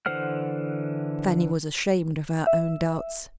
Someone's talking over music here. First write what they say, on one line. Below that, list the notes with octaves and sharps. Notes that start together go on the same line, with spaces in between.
Fanny was ashamed of her own doubts.
D3 E3 C5 F#5 F6
E5